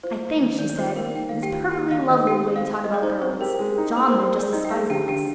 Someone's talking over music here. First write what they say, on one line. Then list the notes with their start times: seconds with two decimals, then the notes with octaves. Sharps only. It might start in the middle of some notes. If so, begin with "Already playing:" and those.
"I think," she said, "it is perfectly lovely the way you talk about girls; John there just despises us."
0.03 F4 C5
0.22 A#3
0.41 D#3
0.59 D#3 D5
0.70 D5
0.77 F4 C5
0.96 A#3 A#4
1.16 D#3 G5
1.29 F5
1.34 D#3
1.43 G4 G5
1.52 F4
1.71 A#3 G4 G5
1.91 D#3 F5
2.09 D#3 D#5
2.27 D#4 G4 G5
2.47 C4
2.56 F5
2.65 G4
2.84 G#3 D#5
2.94 D5
3.02 D#4 C5
3.21 C4 C5
3.41 G4 A#4
3.59 G#3
3.78 D#4
3.96 C4 A#4
4.10 G4 C5
4.24 C5
4.33 G#3
4.39 D5
4.53 D#4 D#5
4.65 G5
4.71 G#3 F5
4.90 D3 G4 G5
5.08 D3 G4 G5